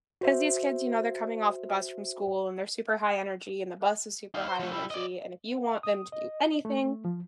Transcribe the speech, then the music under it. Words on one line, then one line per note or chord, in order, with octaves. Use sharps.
'Cause these kids, you know, they're coming off the bus from school and they're super high energy, and the bus is super high energy, and if you want them to do anything,
F#4 C5 E5
D#4 F5
C5
F3 A3
G3 E4
D5 D#5
D#6
D#5
A3
F3